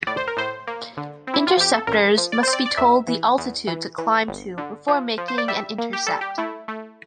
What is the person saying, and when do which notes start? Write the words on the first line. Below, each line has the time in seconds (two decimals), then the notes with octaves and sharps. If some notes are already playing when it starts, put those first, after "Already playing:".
Interceptors must be told the altitude to climb to before making an intercept.
0.07 A2 D5
0.17 C5
0.28 A#4
0.37 A2 C5
0.67 A#3
0.97 D3
1.27 C4
1.34 E4
1.47 F4
1.57 F2 G4
1.74 A4
1.87 A1 A#4
2.17 F3
2.32 D5
2.43 C4 C5
2.53 D5
2.66 D5
2.77 E2 E5
3.08 E3
3.38 E2
3.67 E3
3.98 E3
4.28 G1
4.58 D3
4.88 F3
5.18 F3
5.28 C5
5.38 D5
5.48 G3 E5
5.78 A#3
5.93 G4
6.07 G3 A4
6.21 G4
6.38 A3 E4
6.68 A3